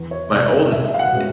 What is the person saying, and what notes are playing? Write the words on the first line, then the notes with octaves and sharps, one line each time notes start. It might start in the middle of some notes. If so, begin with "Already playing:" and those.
My oldest i
Already playing: E2
C#5
C3 E3 A3 D5
D#5
C2 E5
F5
F#5
B2 G#3 C#4